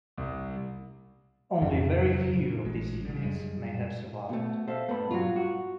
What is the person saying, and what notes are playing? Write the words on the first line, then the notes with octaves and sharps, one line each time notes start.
Only very few of these units may have survived.
C2
F2 G#2 C#3
F2 C#3 F#3
A#2 D4
A1 G#3
C#3 G3
F#2 G3 G#3
B2 A3
A4 C5 E5 F5
G2 A3 B3 B5
G2 F#3 F4 F#4
F#4